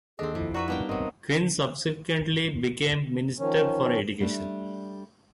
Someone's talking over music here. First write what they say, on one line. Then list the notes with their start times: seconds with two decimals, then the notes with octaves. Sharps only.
Quinn subsequently became Minister for Education.
0.19 D#2 C4 D4 G#4 A4 D#5
0.35 F2 C3 E4
0.54 F#4 B4 D5 E5 A#5 C#6
0.68 G3 A#3 B3 D4 D#4 G5
0.89 C3 F#3 C4 A#4 D#5
3.38 D#3 F3 C#4
4.21 G3 A3 D4